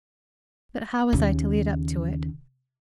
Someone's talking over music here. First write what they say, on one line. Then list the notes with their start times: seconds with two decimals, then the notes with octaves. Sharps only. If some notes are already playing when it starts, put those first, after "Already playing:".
But how was I to lead up to it?
1.13 D#2 C#3